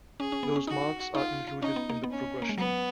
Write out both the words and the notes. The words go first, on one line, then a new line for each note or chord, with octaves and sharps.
Those marks are included in the progression.
C#4 G#4
C#4
B3
C#4
D#4 F#4
D#4 F4
C#4 D#4
B3
A#3
B3
C#4
A#3
G#3
F#3 B3